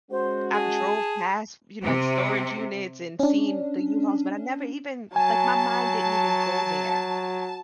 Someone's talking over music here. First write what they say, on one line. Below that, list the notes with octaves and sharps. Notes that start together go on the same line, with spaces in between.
I've drove past, you know, like, storage units and seen the U-Hauls, but I never even, like, my mind didn't even go there.
G#3 C#4 F#4 C5
G#4 A5
C3
C#4 D4
F#3 G#5 A5